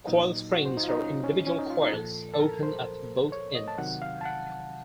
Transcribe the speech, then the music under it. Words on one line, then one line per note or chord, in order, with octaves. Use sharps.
Coil springs are individual coils, open at both ends.
A#2 F#3 D#4
F#4
C5
D#4
F4
D#4
C#4
C#4
C#4
D#4
F4
D#4
A#2 F3 A4
A4
A#4
C5
C#5
D#5
A5
C3 D#3 F#3 F#5
F5
A5
F#5